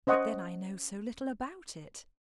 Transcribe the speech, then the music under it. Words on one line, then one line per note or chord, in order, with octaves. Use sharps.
But then I know so little about it.
C#4 C5 D#5 F#5 C#6 D#6